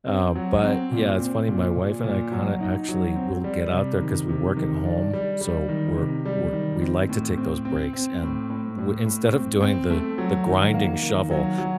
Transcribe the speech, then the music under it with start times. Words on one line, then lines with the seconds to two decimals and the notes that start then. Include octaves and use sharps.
um, but, yeah, it's funny my wife and I kinda actually will get out there 'cause we work at home, so we're we're we like to take those breaks, and we instead of doing the the grinding shovel,
0.07 C4
0.36 F#3
0.63 C4
0.92 A#2
1.20 C4
1.48 A#2
1.76 A#2
2.04 A#2
2.32 F#3
2.60 D#4
2.89 F#3
3.16 C4
3.44 G3
3.72 C3
4.01 D#3
4.29 C3
4.56 D#3
4.85 D4
5.13 G3
5.41 G3
5.69 D#3
5.97 C3
6.25 G3
6.53 D#3
6.82 C4
7.09 A2
7.38 C4
7.65 C4
7.93 C4
8.22 A2
8.50 A2
8.78 A2
9.06 A2
9.34 C4
9.62 C4
9.90 A3
10.18 F#3
10.46 D#3
10.74 A#3
11.03 D#3
11.31 F#3
11.58 F#3